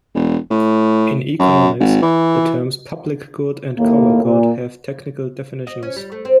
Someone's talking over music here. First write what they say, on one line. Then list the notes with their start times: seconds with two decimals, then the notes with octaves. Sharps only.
In economics, the terms "public good" and "common good" have technical definitions.
0.15 E1
0.51 A2
1.39 F#2
1.80 G#1
2.02 E3
3.79 D#2 A2 A#3
4.24 A#2
5.67 D#5
5.83 C#4
5.96 G3
6.12 A3
6.25 C4